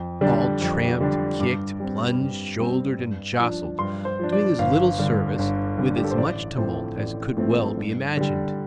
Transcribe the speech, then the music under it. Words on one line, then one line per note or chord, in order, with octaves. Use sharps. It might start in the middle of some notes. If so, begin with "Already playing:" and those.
All tramped, kicked, plunged, shouldered, and jostled, doing as little service with as much tumult as could well be imagined.
Already playing: F2
D3 G3 D4
F2
D3 G3 D4
G2 D6
G3 C4
G2
G3 C4
G2
F3 D4
G2 C6
C5
F3 D4
D5
G1 F5
G2 D3
G1
G2 D3
G4
A4
C5
A1 D5
A2 F3 A3 C4 C5
A1 D5
A2 F3 A3 C4
G2
D3 G3